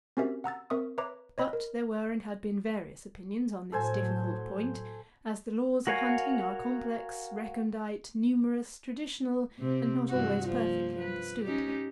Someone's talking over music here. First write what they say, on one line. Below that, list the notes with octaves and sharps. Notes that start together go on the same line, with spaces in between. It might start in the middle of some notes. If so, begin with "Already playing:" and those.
But there were and had been various opinions on this difficult point, as the laws of hunting are complex, recondite, numerous, traditional, and not always perfectly understood.
C4 C#4 F#4 G4 A#4 E5
F#5 A#5 E6 A6
C4 A#4 E5 C#6 D#6
B4 C#5 E5 A#5 D6
C#5 D#5 B5
A#4
A2 F#3 A4 C5 G#5
F#4 A#4 C#5 F5 G#5
C3 C4
G2 E3 F#4
F3 A#3
B4
C#4 D#4 G4